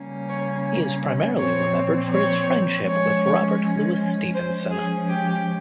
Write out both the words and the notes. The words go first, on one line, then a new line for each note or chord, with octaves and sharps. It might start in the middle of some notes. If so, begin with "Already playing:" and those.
He is primarily remembered for his friendship with Robert Louis Stevenson.
Already playing: C#3 G3 A#3 C#4
C#5
A#2 F3 C4 C#5
C#5
F3 G#3 C#4 C#5
F3 G#3 C#4 C5
G#4
G4